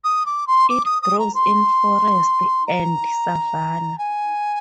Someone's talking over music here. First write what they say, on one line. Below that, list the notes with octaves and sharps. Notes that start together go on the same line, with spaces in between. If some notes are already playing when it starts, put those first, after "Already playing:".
It grows in forests and savannah.
D#6
D6
C6
D6
D#6
D#6
A#5
C6
A#5
G#5